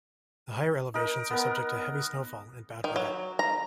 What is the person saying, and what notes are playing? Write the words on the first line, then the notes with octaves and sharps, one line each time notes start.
The higher elevations are subject to heavy snowfall and bad weather.
D#4 A#4
B3 A#4
D#3
F#3
A#5